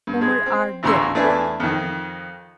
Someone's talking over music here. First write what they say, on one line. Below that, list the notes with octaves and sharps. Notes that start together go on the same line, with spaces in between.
Homer R. Dill.
G2
G#3
C4
A1 D2 C#3 A#5 C6 E6
E2 A3 D4 E4 B4 G#5
F2 D#3